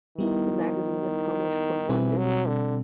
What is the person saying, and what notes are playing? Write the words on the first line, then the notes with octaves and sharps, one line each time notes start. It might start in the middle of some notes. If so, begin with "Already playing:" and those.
The magazine is published from London.
D#3 G3 B3 E4
B2 E3 G3 C4
F#3
D3